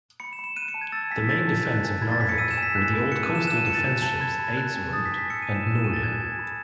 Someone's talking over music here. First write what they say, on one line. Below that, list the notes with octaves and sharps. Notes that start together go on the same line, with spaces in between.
The main defence of Narvik were the old coastal defence ships "Eidsvold" and "Norge".
B5 C#7
E7
B5
E7
F#6 D#7
C#7
A5
G#6
E6 A6
G#5 B6
F#6 A6
A5
F#6
G#5
B5 G#6
A6
B5 B6
C#7
E6 D#7
E7
G#5
B6
F#6
B5
F#6 C#7
D#7
A5
E7
F#6 E7
D#7
G#5 C#7
A6
F#6
A5
B5 G#6
B5
F#6
G#5
D#6 A6
B6
G#5
B6
E6 C#7
D#7
G#5
E7
F#6
E7
G#5 D#7
A6
F#6 G#6
G#5
B5